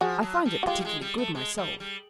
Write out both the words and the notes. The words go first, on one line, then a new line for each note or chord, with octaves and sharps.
"I find it particularly good myself."
F3 F#4 G#4
F#3
G3
F#4
G#3 F4 G4
G3
G#3
G3
A3
G#3
G3
G3